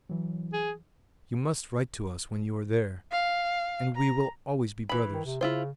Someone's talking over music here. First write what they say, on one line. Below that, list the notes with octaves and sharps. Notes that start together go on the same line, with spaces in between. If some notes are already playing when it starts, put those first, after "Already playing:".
You must write to us when you are there, and we will always be brothers....
E3 F#3
G#4
F5
A#5
E3 B5
D#3
C3
C#3 E4 F4 C5